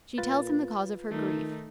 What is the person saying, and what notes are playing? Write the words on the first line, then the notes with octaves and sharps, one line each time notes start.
She tells him the cause of her grief.
A#2 F4 B4 A6
D#3 A3 D#4